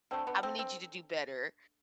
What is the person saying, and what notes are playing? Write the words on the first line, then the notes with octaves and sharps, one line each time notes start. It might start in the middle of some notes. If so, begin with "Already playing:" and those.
Imma need you to do better.
D3 A3 C4
B3
C4
C4